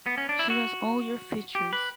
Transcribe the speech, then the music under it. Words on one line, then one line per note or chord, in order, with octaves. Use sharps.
She has all your features.
B3
C#4
D4
E4
F#4
G4
B4